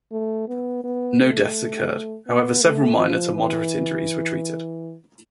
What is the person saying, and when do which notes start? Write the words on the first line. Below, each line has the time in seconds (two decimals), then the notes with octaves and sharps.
No deaths occurred, however several minor to moderate injuries were treated.
0.12 A3
0.48 B3
0.84 B3
1.20 A3
2.27 B3
2.62 A3
2.98 F3
3.35 E3